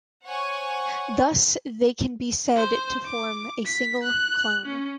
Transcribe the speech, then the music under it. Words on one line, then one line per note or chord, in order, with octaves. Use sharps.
Thus they can be said to form a single "clone".
C5 C#5 F#5 G#5 C#6
C5
D6
B6
F#6
C#4